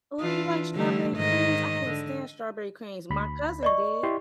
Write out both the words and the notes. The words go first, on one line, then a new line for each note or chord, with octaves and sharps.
Oh, you like strawberry creams? I couldn't stand strawberry creams. My cousin did.
E3 D4 F4
D3 G3 A3
G#2 D#3 D#5
D3
D2 B5
D5 D#5 C#6
E4 G4 C6